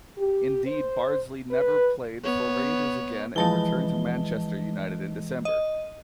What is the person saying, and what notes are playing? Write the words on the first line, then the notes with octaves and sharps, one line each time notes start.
Indeed, Bardsley never played for Rangers again and returned to Manchester United in December.
G4
C5
B4
B3 C#5
E3 F3 G#3 D#5 A5 G7
D#5